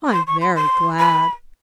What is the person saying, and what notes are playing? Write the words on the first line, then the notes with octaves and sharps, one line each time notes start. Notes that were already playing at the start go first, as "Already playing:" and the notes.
I am very glad.
C6
C#6
C6
C6
B5